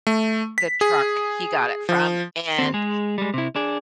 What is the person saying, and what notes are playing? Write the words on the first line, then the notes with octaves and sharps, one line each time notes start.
the truck he got it from, and
A3
B6
G#4
F3
D#2 C4
G#3 G#4
G3 G#3
C3 E4
D4 G#4